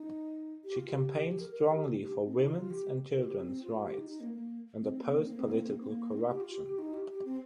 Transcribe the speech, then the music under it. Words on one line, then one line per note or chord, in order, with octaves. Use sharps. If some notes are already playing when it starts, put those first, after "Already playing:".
She campaigned strongly for women's and children's rights, and opposed political corruption.
Already playing: D#4
G4
F4
G4
G4
G4
A#4
A#4
G4
G4
C4
D#4
F4
G4
A#4
F4
G4
C4
F4
G4
D#4
D#4
A#3
A#3
C4
A#3
C4
A#3
C4
A#3
C4
A#3
C4
A#3
C4
A#3
C4
A#3
C4
D#4
G4
F4
G4
G4
D#4
G4
G4
C4